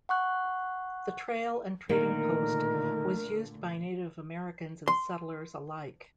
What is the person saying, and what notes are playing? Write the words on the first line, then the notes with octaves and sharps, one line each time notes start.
The trail and trading post was used by Native Americans and settlers alike.
F#5 C#6 F#6
A#2 D3 D#3 A3 A#3 A#4
C6